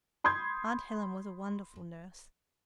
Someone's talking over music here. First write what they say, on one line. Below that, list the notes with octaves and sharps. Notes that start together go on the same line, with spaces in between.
Aunt Helen was a wonderful nurse.
B5 C6 D#6 G6 G#6